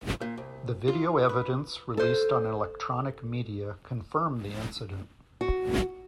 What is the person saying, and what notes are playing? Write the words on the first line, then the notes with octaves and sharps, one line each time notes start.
The video evidence released on electronic media confirmed the incident.
A#2
C2
F4
B4
A4 C5
F#4